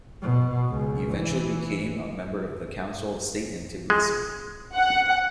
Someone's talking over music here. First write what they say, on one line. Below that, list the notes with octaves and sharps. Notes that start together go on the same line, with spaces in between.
He eventually became a member of the Council of State in Tiblisi.
B2
C#2
E3
G#3
F#5